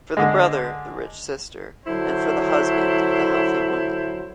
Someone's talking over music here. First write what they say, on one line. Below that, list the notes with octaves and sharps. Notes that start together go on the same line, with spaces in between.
For the brother, the rich sister, and for the husband, the healthy woman.
D3 G#3
D3 F#3 E4 C5